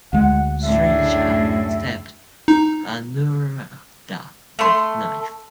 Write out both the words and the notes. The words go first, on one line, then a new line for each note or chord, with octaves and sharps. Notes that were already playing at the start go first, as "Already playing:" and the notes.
Sreeja stabbed Anuradha with knife.
D2 G#3 F#5
F#2 A2 D4 G#4 E5
D#4
A3 C6